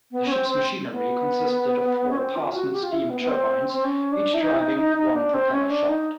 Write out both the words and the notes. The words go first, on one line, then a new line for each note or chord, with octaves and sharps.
The ship's machinery consisted of four Parsons steam turbines, each driving one propeller shaft.
B3
C#4
C4
C4
B3
C#4
C4
F4
F#4
G4
F4
E4
B3
B3
C4
C4
C#4
D4
E4
D#4
E4
D#4
D#4
D#4
D4
C4
C#4
D4
D#4